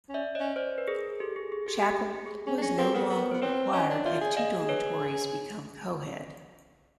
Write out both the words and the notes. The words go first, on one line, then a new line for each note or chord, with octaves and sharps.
Chapel was no longer required and two dormitories become coed.
C#4
D5 E5
C#4 C#5 D#5
C5 D5
B4
G#4 A#4
G4 A4
G#4
G#4
G4 A4
G4
G#4
C#4 G#4
D4
C#4 G#4
C4 A4 B4
B3 A#4 C5
B3
B3 C5
C4 B4 C#5
C#4 C#5 D#5
D4
F4 D5 E5
G#4
G#4 D#5 F5
B4 C#5